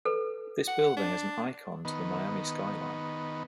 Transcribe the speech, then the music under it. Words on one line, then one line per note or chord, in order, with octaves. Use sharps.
This building is an icon to the Miami skyline.
A4 B4
F#5
D4
D#3 B3